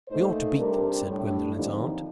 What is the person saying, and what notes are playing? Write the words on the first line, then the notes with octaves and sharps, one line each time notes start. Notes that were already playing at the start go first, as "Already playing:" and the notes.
"We ought to beat them," said Gwendolen's aunt.
A#2 A3 D#4 C5
C3 G3 D4 A#4
A2 G3 D4
D#2 D3 F3 C4 D#4 G4